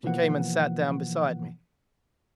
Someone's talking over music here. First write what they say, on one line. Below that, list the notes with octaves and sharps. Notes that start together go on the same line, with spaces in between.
She came and sat down beside me.
B2 E3 F3 A#3 F#5